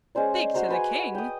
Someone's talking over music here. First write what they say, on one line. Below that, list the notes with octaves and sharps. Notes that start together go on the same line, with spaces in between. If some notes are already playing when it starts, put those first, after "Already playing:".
'Speak to the King!...
G#3 C#4 C5 D5
F#4 C5 A#5 C6
F#4 B4 G#5
G5 D#6